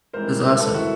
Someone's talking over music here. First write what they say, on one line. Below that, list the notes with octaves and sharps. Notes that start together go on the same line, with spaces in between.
That's awesome.
G#2 E3 G3 C4 A#4 C5
A4 B4
E4 F#4